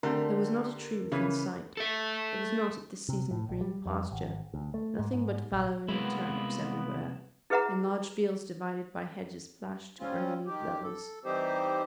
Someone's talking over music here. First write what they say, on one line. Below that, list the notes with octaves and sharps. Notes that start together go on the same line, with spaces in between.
There was not a tree within sight; there was not, at this season, a green pasture--nothing but fallow and turnips everywhere, in large fields divided by hedges plashed to unrelieved levels.
D3 A3 C4 G4 A#4
C#3 E3 B4
A4 E5
C3
A2
A#1
G3
F2
G#1
D2
A3
G#2
G#2
A#1
C2 G#3 A#3 B3 E4
E4 G#4 B4 E5 F#5 A#5
G3 C4 C#4 F4
D#3 G4
A4
E3 G3 C4 D#4 G4 C5